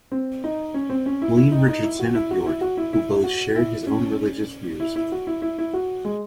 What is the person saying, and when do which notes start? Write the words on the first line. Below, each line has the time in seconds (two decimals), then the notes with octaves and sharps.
William Richardson of York, who both shared his own religious views.
0.12 C4
0.44 D#4
0.74 C#4
0.90 C4
1.06 C#4
1.22 E4
1.37 E4
1.52 D#4
1.68 D#4
1.83 E4
1.99 F#4
2.15 E4
2.31 F#4
2.46 E4
2.61 F#4
2.77 E4
2.93 E4
3.24 F#4
3.55 E4
3.87 C#4
4.80 E4
4.96 E4
5.12 F#4
5.27 E4
5.42 E4
5.58 E4
5.73 F#4
6.05 G#3